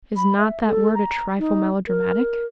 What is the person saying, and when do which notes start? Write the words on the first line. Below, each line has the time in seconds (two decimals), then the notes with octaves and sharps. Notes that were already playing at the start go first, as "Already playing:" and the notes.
"Is not that word a trifle melodramatic?"
0.16 B5
0.38 E5
0.67 A4
0.95 A#5
1.39 D#4
1.87 A#4